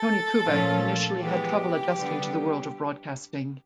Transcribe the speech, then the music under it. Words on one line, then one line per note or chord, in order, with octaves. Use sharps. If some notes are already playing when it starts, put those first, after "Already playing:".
Tony Kubek initially had trouble adjusting to the world of broadcasting.
Already playing: A4
A#2 F3 A3 C#4 F4
E3 G#3 B3 G4
D3 G3 B3